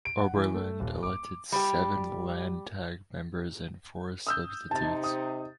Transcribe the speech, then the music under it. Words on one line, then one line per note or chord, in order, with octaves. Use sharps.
Oberland elected seven Landtag members and four substitutes.
D7
F#5
E3
A3
D#1
D6
G3 G4
D#6 E6 G6
C3 D#4 A5 A6
D#6